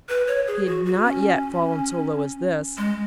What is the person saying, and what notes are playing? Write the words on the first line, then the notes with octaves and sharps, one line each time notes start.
He had not yet fallen so low as this.
B4
C#5
G#4
F#4
F#4
C#4
G#3